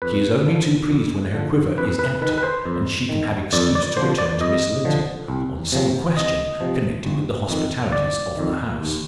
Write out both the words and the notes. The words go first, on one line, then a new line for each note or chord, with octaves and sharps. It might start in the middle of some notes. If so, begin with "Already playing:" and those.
She is only too pleased when her quiver is empty, and she can have excuse to return to Miss Linton, on some question connected with the hospitalities of the house.
F2 B4
D3 F3
F2
D3 F3
F2 B4
B4
D#3 B4
B4
C5
F2
D#3
F2 D5
D5
D3 F3 C5
D5
F2 D#5
D3 F3
C2
C3 F3
C2 D#5
C3 F3
G1
F2 D#3
G1 D5
F2 D#3
D#2